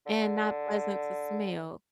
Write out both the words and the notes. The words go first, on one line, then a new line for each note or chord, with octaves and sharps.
and not pleasant to smell.
D3